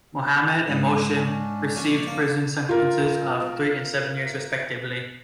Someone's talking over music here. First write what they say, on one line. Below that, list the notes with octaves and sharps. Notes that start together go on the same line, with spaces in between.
Mohammed and Mohssin received prison sentences of three and seven years respectively.
G#2 G3 B4
C#4 D4
A#1 C#4 D4 D5
A#3
F4 A#4